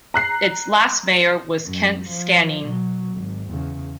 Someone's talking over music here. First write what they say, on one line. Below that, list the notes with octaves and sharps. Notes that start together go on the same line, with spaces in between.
Its last mayor was Kent Skaanning.
A#5 F#6 C7
F#2
F3
B2 F#3
G#1
E2 C#3